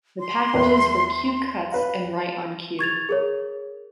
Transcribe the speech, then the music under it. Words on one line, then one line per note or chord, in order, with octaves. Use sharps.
The packages were Q Cuts and Right On Q.
C6
E2 A#4 B4
B4 F5
C#6 G#6 A6 F7
G#4 A#4 C#5